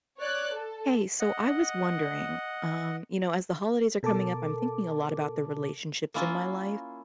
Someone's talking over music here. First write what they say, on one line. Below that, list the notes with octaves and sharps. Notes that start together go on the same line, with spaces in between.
Hey, so I was wondering, um, you know, as the holidays are coming up, I'm thinking a lot about the relationships in my life,
C#5 D5 F#6
A4
D#5 F#5
B2 A4 A#4 A5 D6
A#3 C#4 E4 F4